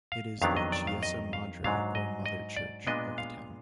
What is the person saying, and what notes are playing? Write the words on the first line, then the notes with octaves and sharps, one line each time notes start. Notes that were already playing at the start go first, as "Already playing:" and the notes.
It is the "Chiesa Madre" or Mother Church of the town.
F5
F2 D#3 F#3 B3 D4 F5
D#5
D5
F5
D#5
F5
G#2 F#3 D4 F5
D#5
D#5
D5
A#2 G#3 B3 D4 D#5
F5